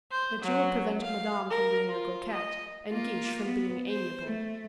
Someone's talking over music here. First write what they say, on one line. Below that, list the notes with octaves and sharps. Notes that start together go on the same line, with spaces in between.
"That you will prevent Madame from being a coquette and Guiche from being amiable."
C5
F#3
F5
A#4
F4
D#5
A#3 F4
B3
C5
A3